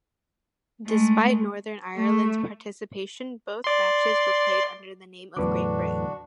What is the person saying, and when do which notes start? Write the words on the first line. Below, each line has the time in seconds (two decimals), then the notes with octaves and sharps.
Despite Northern Ireland's participation, both matches were played under the name of 'Great Britain'.
0.87 G#3 A3
1.97 A3
3.64 D5 C6
5.37 E2 A2 D3 F#3 D4 F#4 B4 D6